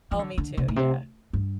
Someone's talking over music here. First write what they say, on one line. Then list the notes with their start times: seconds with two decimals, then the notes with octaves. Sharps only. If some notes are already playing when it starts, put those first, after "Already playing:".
Oh, me too, yeah.
0.11 F3
0.19 D3
0.38 D3
0.57 C3
0.68 A2
0.76 C3
1.33 G2